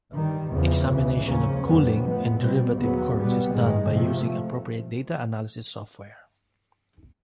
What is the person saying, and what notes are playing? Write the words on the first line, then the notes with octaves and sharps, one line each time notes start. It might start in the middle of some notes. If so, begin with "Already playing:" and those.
Examination of cooling and derivative curves is done by using appropriate data analysis software.
G2 D#3 G3
E2 C#3 F3
C#2 C#3 E3
D#2 C#3 F3 A#3 C#4
F2 D3 G3 B3
A2 F3 G#3 B3
B2 G3 C4
D#2 C#3 F#3 B3
B2 G3 B3
G2 D#3 G#3
C3 F3 A3